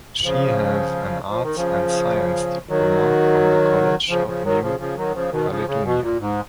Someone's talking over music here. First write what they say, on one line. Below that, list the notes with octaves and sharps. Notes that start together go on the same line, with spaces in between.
She has an arts and sciences diploma from the College of New Caledonia.
C#3 F3
F3
D#3
C#3 F3
D#3 F#3
C#3 F3
C#3 F3
D#3 F#3
C#3 F3
C#3 F3
D#3 F#3
C#3 F3
B2 D#3
C#3 F3
C#3
B2
A#2
G#2